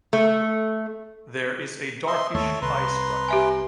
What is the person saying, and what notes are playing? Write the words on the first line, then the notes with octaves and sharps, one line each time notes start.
There is a darkish eye stripe.
A3
D#5 E5 C6
D#2 A3 A4 C#5 E5
C2 B4 A#5 C6
G4 E5 G#5